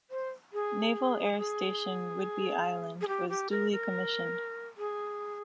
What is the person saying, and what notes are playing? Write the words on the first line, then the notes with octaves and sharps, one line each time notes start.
Naval Air Station Whidbey Island was duly commissioned.
C5
G#4
G#4
G#4
G4
G4
A#4
A#4
G#4